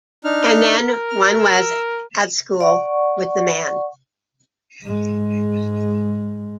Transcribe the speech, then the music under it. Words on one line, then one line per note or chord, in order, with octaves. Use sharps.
And then one was at school with the man.
D4 D#4 F6
A#4
F6
E6
D5 F#5 C#6
G#2 G#3